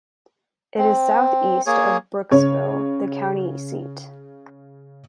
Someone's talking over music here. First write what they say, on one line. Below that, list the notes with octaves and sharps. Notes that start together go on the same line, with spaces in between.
It is southeast of Brooksville, the county seat.
C4
A#3 G#4 C#5
C#3 C#5